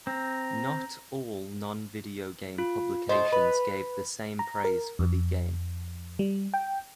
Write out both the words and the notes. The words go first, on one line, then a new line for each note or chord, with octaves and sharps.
Not all non-video game publications gave the same praise for the game.
C4 A#5
F4
A2 C5 D#5
B4 B5
A#5
A#4
F2
G3
G5